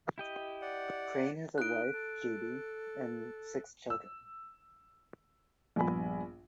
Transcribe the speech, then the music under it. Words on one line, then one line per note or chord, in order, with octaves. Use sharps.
Crane has a wife, Judy, and six children.
E4 G4 D#5
D5 F#5
D#4 F#6 D7
A4
E6
A#1 G2 A#2 B3 G#5 B5